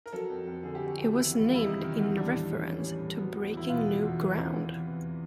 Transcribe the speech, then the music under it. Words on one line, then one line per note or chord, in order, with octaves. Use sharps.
It was named in reference to breaking new ground.
A#4
F#3 A4
F2
F2
D3 G#4
G4
F#3
F#4
F2 G4
D#3 E4
E2
G3 F4
E4
C3 D#4
D#3
E2
G3 D4
A2
A2
E3 C#4
G3
A2
F#3 B3
E2
E2
E4
B2 F4
F#3
E2
E3
E2
E2
C3
E3